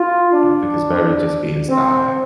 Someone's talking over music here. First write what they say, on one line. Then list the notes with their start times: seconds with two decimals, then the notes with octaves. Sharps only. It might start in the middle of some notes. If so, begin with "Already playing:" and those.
Yeah, I think it's better just being inside.
Already playing: F4
0.33 D4
1.69 C4